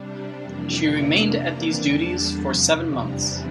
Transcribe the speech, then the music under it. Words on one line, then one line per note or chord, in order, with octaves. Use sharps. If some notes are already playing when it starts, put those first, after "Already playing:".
She remained at these duties for seven months.
Already playing: C3 G3 D4
F2 C3 E3 A#3 D4
A#5
C3 E3 A#3 D4
A#5
E2 D3 G3 D4 A5
F2 C3 F3
E2 C3 E3 G3 D4 A#5